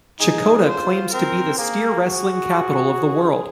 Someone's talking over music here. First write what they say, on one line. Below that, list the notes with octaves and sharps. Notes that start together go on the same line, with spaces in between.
Checotah claims to be the steer wrestling capital of the world.
D#4 G#4
F4 C5
C4 A#4
A#3 G#4
F#4 G#4
G#4